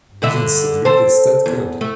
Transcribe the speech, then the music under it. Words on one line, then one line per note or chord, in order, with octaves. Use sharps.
Yes, it really is that good.
G2 D3 E5
C4 A4
E2
A3